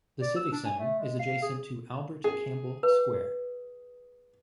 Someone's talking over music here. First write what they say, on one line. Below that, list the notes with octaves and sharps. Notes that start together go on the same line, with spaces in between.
The civic centre is adjacent to Albert Campbell Square.
D5
E6
D4
G#5
A3
G#3
F5
G#4
G#4
B4